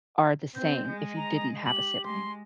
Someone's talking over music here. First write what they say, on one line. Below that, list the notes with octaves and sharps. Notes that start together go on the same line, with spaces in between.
or the same if you didn't have a sibling?
C4 G6
G#3 D#5
A#5
G4 F#7
G#3 C6